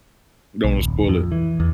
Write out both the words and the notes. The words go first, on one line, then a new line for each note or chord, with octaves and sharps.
Don't wanna spoil it.
B1
D#1
F2
E3
E2